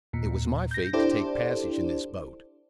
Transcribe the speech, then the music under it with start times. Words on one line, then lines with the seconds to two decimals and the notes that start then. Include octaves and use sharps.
It was my fate to take passage in this boat.
0.13 D#2 A#2
0.71 G6 A#6
0.93 D4 E4 G4 A4 C5 D5